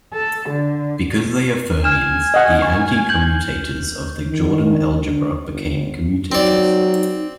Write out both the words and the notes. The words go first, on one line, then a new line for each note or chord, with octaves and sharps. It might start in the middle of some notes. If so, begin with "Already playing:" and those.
Because they are fermions the anti-commutators of the Jordan algebra become commutators.
A4
D3
G#5 F6 E7
D#5 F#5
C#6
G6 F#7
D#3
D3
G1
F#3 C4 D#4 D5